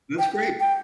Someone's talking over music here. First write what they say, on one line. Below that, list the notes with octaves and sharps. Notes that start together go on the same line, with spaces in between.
That's great!
G5
G5